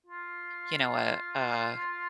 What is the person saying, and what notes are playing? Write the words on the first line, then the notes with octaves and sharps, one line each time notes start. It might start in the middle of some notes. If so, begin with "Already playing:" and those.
you know, a a
F4